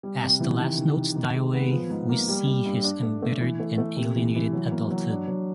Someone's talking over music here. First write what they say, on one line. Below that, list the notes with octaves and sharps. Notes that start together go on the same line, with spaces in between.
As the last notes die away, we see his embittered and alienated adulthood.
G3
C3
E3
D#3
D#3
D#3
D#3
G#3
B3
F3
G#2
A#3
G3
G3
G2
D4
A3
A3
E3
A3
A3
C3
E3
E3
F#3
A#3
F#3
D4
F#3